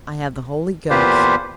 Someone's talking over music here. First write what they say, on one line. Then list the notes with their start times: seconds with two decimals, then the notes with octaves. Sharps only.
I have the Holy Ghost.
0.90 E2 A#2 F4 G4 B4 C5